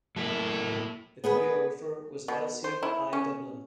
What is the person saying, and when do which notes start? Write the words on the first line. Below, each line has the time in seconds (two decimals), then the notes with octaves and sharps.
The choreographer was Else I. Dublin.
0.16 F#3 A3 A#3 E4 A4
1.24 B3 G#4 B4
2.28 B2
2.64 C5
2.83 E4
3.13 C#4